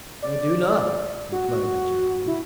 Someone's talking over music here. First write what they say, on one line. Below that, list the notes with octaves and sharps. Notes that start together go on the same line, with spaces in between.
"I do not!" replied the gentleman.
D5
F#4
E4